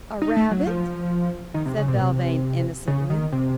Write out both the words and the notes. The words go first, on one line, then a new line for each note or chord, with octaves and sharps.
"A rabbit?" said Belvane innocently.
D#4
A3
F#3
F3
D#3
C3
C#3
C3
A#2
C3
C#3
D#3
C3